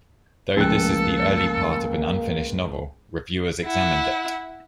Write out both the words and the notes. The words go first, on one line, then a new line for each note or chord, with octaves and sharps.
Though this is the early part of an unfinished novel, reviewers examined it.
C#2 F3 A3 A#3 C#4 A4 G5 F#6
E4 F#5